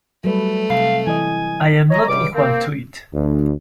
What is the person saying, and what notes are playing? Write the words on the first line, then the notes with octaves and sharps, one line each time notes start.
I am not equal to it.
F#3 G3 A3 B4
C3 F5
E3 D#5 G#5
C#5 D#5 A#5
C#2 G2 C3 G3 D6
A#3 C4
D2